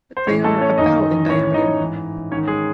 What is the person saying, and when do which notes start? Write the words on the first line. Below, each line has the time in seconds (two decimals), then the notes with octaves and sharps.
They are about in diameter.
0.17 C5
0.27 A2 C#4 C#5
0.31 E3
0.44 A3 A4
0.61 C#4 C#5
0.78 F#2 D#3 D#4 D#5
1.29 A2 E3 C#4 C#5
1.54 D#4 D#5
1.81 G#2 E3
2.31 G#2 C#4 C#5
2.36 D#3
2.48 G#3 G#4